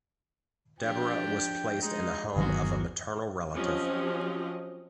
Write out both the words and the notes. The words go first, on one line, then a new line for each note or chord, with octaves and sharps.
Deborah was placed in the home of a maternal relative.
F3 D4 G4 G5
G#3 D#4
G1 D#3 F#3 B3 F#4 G#4 A#4
F3 F#3 C4 C#4 G4 D#5